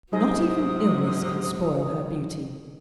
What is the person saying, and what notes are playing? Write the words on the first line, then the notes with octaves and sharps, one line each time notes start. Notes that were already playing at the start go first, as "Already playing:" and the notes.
"Not even illness can spoil her beauty!"
G#2 C3 F#3 D#4 G#4 D#5 D#6